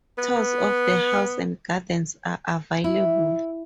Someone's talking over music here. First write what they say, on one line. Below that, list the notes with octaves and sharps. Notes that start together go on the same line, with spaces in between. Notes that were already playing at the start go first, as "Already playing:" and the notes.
Tours of the House and Gardens are available.
B3
E4